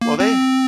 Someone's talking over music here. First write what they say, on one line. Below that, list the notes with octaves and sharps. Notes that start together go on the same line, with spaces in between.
Well, they
A#3
C4